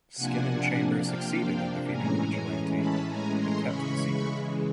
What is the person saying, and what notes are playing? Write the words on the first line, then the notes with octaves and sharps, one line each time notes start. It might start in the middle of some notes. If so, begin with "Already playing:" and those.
Skin and Chamber succeeded in defeating the vigilante, but kept the secret.
C3 F3 A#3 D4 F#5 G#5
F5 G5
A2 E3 G#3 C#4 G#5 A#5
A5 B5
G#5 A#5
A#5 C6
C#3 E3 G#3 B5 C#6